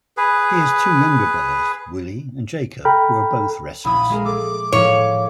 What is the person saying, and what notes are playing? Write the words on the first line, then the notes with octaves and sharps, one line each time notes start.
He has two younger brothers, Willy and Jacob, who are both wrestlers.
G#4 B4
A4 G5 A#5 B5 F6
A#1 E4 B5 D#6
G#3 G#4 A#4
A4 D6
A2 F3 C#5